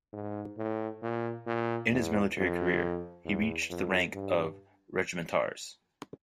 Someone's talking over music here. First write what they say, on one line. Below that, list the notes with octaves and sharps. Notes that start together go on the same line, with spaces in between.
In his military career, he reached the rank of regimentarz.
G#2
A2
A#2
A#2
E2
F2
E2
F2
G2